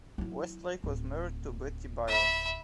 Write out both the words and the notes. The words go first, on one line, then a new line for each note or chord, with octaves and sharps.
Westlake was married to Betty Bier.
F#3 E4
D1
E5 B5